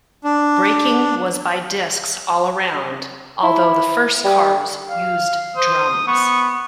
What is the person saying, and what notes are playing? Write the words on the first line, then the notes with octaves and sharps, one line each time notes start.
Braking was by discs all around, although the first cars used drums.
D4
E4
G3
F5
C5 D#6
B3 C#6